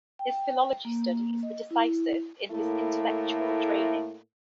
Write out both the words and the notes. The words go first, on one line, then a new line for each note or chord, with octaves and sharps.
His philology studies were decisive in his intellectual training.
G5
A#3
D#5
E4
A2 A3 A#3 E4